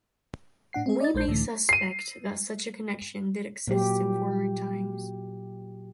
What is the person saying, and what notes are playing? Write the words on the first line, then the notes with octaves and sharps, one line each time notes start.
We may suspect that such a connection did exist in former times.
A2 D4 F#5 C7
C4 G#4
D5 D#5 A6
A#1 G#3 C5 G6 C7
C#2 A2 D3 E3 A3
C7 D#7
A#2 F#3 G4